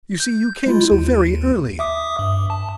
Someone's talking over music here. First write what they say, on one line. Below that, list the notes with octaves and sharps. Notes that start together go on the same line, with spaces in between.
"You see you came so very early."
G6
G#3 E4 F4
D#2
E5 D6 D#6
G2
A5